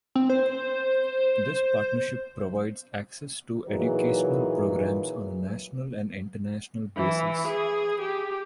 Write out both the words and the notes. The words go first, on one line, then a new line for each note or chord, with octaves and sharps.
This partnership provides access to educational programs on a national and international basis.
C4
C5
A#2 E3 F#3 D#4 G#4 B4
E3
G#4
G4